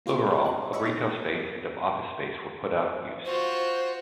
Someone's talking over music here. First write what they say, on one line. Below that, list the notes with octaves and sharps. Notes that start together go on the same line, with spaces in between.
Overall, of retail space and of office space were put out of use.
A#3 F4 G4 C5
C3 F#6
C#5 D#5 E5 B5 C#6
C#4 D#4
F4 F#4 C5